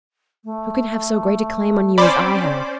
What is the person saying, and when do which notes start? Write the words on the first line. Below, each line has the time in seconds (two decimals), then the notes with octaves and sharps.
Who can have so great a claim on you as I have?
0.45 A3
1.98 C4 C#4 C5 D5 B5 D6